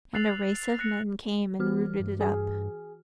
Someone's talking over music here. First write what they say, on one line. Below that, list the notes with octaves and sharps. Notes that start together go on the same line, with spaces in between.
And a race of men came and rooted it up.
E6 F#6 A6 C7 F7 F#7
F#6 A#6 C7 C#7
E3 B3 F#4 F6
G2
G#4